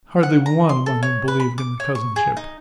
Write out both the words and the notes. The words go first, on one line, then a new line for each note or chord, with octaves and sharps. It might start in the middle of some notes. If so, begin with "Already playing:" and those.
Hardly one among them believed in the cousinship.
F#5
A#5
C6
A4
C#5
B4
B5
D6
C#5
C#6
G#4
D#4